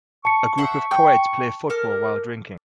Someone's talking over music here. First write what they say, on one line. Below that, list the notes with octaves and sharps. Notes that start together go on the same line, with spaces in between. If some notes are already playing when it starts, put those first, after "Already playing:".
A group of coeds play football while drinking.
A5 C#6 C#7
C5 E5 F#5
G5
A4 A#4 D6 F6